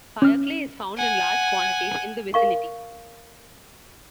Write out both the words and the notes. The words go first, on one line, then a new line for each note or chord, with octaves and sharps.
Fire clay is found in large quantities in the vicinity.
C#4 F6
F#5 G#5
A#4 F5 C#6